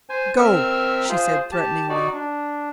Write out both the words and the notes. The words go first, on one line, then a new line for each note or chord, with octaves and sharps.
"Go!" she said threateningly.
C5 G#5
C4 A#4 E5 E6 F6
F4 G#4 C5
G4 A5
D#4 F#4 D5
D4